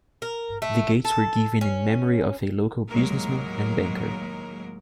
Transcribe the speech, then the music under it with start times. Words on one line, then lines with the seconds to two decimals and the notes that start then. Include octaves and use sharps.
The gates were given in memory of a local businessman and banker.
0.22 A#4
0.62 A3
1.05 A4
1.61 C#4
2.89 D#2 A2 F#3 G#3 A#3 A#4